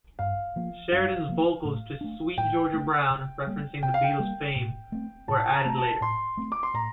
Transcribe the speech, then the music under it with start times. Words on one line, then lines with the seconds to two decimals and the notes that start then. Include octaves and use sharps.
Sheridan's vocals to "Sweet Georgia Brown", referencing the Beatles' fame, were added later.
0.19 G2 F5
0.56 F3 A#3
0.92 G2 F5
1.29 F3 A#3
1.65 A2
2.01 A3 D4
2.37 A2 G5
2.73 A3 D4
3.10 C3
3.47 G3 A#3
3.83 C3 G5
3.94 F5
4.04 G5
4.20 G3 A#3
4.56 A2
4.92 A3 C4
5.28 A2 A5
5.53 A#5
5.61 A5
5.65 A3 C4 A#5
5.78 A5
6.01 A2 C6
6.37 A3 C4
6.52 D6
6.63 C6
6.74 A2 A#5